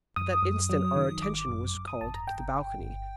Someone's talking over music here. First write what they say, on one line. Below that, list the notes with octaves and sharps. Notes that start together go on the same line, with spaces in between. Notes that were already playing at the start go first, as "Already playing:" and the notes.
At that instant our attention was called to the balcony.
F#2 D#6
F#2
F#3
D#3
G#1 D6
F#2
F#2
D#6
G#1 A5
A#5
G1 G5
G1
G1